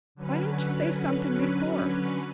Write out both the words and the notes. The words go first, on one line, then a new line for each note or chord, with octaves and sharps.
Why didn't you say something before?
D3 F#3 C#4 B4